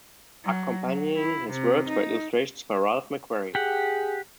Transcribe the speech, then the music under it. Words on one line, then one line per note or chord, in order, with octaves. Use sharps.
Accompanying his words were illustrations by Ralph McQuarrie.
F#3
F#3
E4
C3
D#4
G4 G#4 F#5